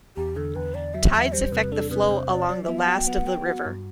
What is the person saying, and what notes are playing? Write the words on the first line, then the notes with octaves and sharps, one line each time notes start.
Tides affect the flow along the last of the river.
E2 G4
D3 A4
E2 B4
E2 D5
F#3 E5
E2 E5
G3 C5
C3 B4
D4 A4
C3 B4
C3 C5
C3 D5
F#3 D5
E5
B3
F#5
F#4
G5
B3 F#5
B3 G5
F#4 F#5
G2